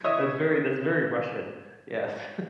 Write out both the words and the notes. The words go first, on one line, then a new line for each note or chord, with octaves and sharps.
that's very that's very Russian, yes.
E4 C#5 D#5 E5 D#6